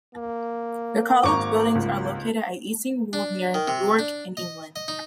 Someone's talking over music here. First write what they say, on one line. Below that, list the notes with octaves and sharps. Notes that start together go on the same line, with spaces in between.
The college buildings are located at Easingwold near York in England.
A#3
G#1 A#5 C#6 D6
C#2
D4
D#3
C3
D4
D#5
D#5
D#4